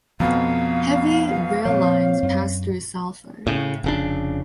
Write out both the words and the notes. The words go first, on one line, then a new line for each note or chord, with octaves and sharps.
Heavy rail-lines pass through Salford.
F2 B2 F3 A3 B3 F5 A#5
A#2 F3 C4 C#5
F#2
A2 C#3
F1 C#3 D4